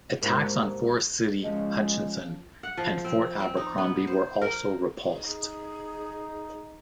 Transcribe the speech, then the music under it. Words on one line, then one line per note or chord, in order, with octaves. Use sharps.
Attacks on Forest City, Hutchinson, and Fort Abercrombie were also repulsed.
G#2 C3 A#3 D4 F#4 B4
F3 G#3 C#4 F4
F#5
F3
C4
C4
D#4
B3
C5
A#4
D#4 G#4